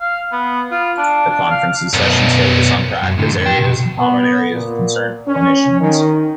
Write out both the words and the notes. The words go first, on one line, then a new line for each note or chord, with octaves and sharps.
The conference's sessions focus on practice areas and common areas of concern for clinicians.
F5
B3
F4
D4
D4
F5
B1 F#2
F#2
A2 D3
F2
B4 G5
B1 B2
B3
A#2
C#4
D#3